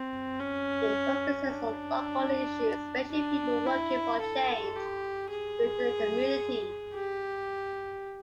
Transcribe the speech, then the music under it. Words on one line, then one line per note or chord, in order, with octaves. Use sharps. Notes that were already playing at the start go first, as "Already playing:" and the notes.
It focuses on local issues, especially "people working for change" within the community.
Already playing: C4
C#4
D4
D4
E4
A4
G4
G#4
G4